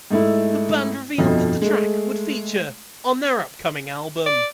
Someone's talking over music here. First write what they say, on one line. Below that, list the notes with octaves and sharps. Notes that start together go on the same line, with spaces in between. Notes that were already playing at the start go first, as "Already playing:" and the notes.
The band revealed that the track would feature on their upcoming album.
G#2 A3 E4
G1 F2 B2 F3
G#3 A3
D5